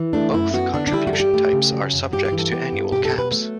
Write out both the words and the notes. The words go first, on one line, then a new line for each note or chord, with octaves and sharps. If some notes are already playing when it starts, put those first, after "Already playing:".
Both contribution types are subject to annual caps.
Already playing: E3
A3 D4
F#2 E4
B3 F#4
D3 D4
D4
G3 E4
F#4
G2 A4
G4
A3
C#3
F#3
F#2
G2 G4
G4
E3
A4
B3 G4
G2
B2 G4
A4
F#3
B4
A3